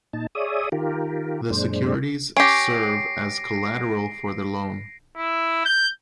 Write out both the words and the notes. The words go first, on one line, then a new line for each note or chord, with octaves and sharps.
The securities serve as collateral for the loan.
A#2 D#4 A5
G#4 C#5 D5 E5 D#6
D#3 F4 G4 A#4
F#2 A#2 G#3 D4 C5
C#4 G4 A#6 C7 D7
E4
G6